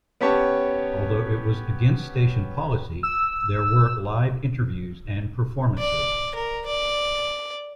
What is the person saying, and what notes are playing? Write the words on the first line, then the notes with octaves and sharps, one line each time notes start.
Although it was against station policy, there were live interviews and performances.
B3 C#4 G4 C#5 A5
E6
D5
A#4
D5